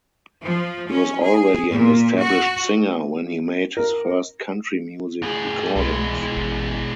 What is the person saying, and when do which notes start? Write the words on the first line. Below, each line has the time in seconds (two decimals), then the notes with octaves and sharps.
He was already an established singer when he made his first country music recordings.
0.42 F3
0.88 C#4
1.24 G#4
1.72 A#2
2.19 F#4
3.77 A#4
5.23 A2 G#4
5.76 C2 B2 G#3
6.22 E4
6.36 A1